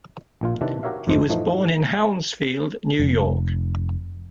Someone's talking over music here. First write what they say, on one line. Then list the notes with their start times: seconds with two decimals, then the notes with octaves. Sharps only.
He was born in Hounsfield, New York.
0.41 A#1 A#2 F4
0.61 C3 D#3 D4 E4 B4 D5
0.83 F#4 G4 A#4 C#5 E5 F5
1.07 G#1 F2 G#2 A3 C5 D#5
1.30 A2 E3 F3 A3 D#4
3.00 F1